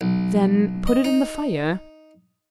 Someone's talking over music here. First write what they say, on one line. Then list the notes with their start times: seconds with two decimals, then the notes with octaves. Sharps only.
"Then put it in the fire."
0.01 B1
0.87 D#5
1.04 D#4